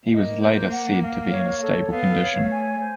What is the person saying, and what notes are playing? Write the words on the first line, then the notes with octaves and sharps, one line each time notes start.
He was later said to be in a stable condition.
A#3 D#5
C5
F#5
F5
C#5
A4
B3 F5
C#5
A3
G#5
C5